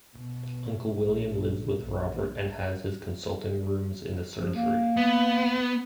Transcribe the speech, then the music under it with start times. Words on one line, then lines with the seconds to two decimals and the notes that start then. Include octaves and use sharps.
Uncle William lives with Robert and has his consulting rooms in the surgery.
0.15 B2
1.03 A#1
1.79 A#1
4.39 F3
4.55 A#3
4.97 B3